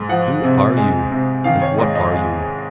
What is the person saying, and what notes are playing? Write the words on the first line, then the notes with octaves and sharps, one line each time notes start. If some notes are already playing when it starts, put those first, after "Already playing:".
Who are you? and what are you?
Already playing: G#2
F3 F#5
C3
G#3
C3
D#3 F5
C#5
G#2 D#5
D#5
G#3